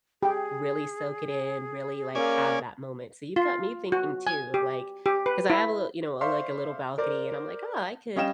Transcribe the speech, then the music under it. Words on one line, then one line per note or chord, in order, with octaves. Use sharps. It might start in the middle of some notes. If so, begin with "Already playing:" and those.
really soak it in, really, like, have that moment, so you've got me thinking too of, like 'Cause I have a little you know, like, a little balcony and I'm like, "Oh, I could,
G4 G#4 G5
A#3 C#4 D5 G#5
F4
F#4
G#5
G4
G4
B4
E4
C5 D5 E5 F5 C6 C#6
A#4 C5 D5
G3 C#4 D#5 F5 G5 E7